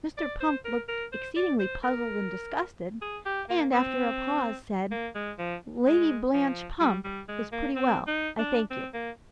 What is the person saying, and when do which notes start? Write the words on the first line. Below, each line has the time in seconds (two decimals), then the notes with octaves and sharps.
Mr. Pump looked exceedingly puzzled and disgusted, and, after a pause, said, 'LADY BLANCHE PUMP' is pretty well, I thank you.'
0.17 D5
0.41 C5
0.65 A#4
0.88 A#4
1.12 C5
1.36 D5
1.60 C5
1.83 A#4
3.01 G#4
3.26 G4
3.49 A#3
3.73 C4
4.91 A#3
5.15 G#3
5.39 F3
5.87 G#3
6.34 F3
6.80 G3
7.04 G3
7.28 G#3
7.52 A#3
7.76 C4
8.07 D#4
8.39 D4
8.71 C4
8.94 A#3